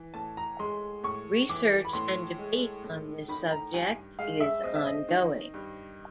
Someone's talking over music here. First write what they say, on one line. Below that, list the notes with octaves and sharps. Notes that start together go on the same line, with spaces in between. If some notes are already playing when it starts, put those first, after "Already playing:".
Research and debate on this subject is ongoing.
Already playing: E3
A2 A5
A#5
G#3 C6
A2 C#6
E3 D6
B5
A2 C6
G#3
A2
D#3 B5
A#5
G2 G#5
G#3 F5
E5
C4 D#5
E5
D#5
D#3
G2